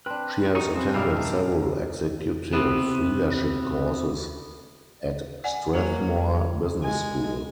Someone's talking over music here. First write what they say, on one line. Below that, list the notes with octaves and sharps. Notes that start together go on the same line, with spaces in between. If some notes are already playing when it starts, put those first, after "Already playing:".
She has attended several executive leadership courses at Strathmore Business School.
C4 D4 B4
D#4 C#6
F3 C4 G#4 B4
B1 C#3 G3 A#3 E4 E5 F5 F6
A#3 D4
C3 B3
D5 F#5 G#5
F#3 A#3
G#3 G#5